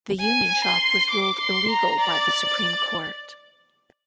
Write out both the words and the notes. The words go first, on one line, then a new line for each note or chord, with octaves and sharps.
The union shop was ruled illegal by the Supreme Court.
G#5
C6
D6
C6
A#5
D5
D5